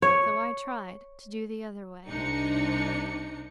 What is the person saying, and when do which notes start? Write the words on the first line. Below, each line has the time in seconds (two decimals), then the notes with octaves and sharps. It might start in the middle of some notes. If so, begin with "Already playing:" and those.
So I tried--to do the other way.
0.02 C#5
2.07 C2 C3 D4 D#4 C#7